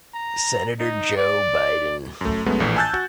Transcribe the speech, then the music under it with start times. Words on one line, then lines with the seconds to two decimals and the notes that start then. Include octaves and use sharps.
Senator Joe Biden.
0.14 A#5
0.80 D#4
1.17 D5
2.21 F#2 A3
2.46 F#2 G#3 A3 B3
2.60 A#1 A2 E3
2.76 G#5 A5 E6 F#6 G6 A6
2.94 F#4